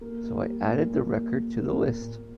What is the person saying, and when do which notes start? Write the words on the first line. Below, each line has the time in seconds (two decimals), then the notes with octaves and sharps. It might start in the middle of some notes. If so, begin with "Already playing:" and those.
So I added the record to the list.
0.01 A#3
0.23 A#3
0.45 G3
0.67 A#2
0.89 A#3
1.12 A#3
1.33 A#3
1.56 A#3
1.78 A#2
2.01 A#2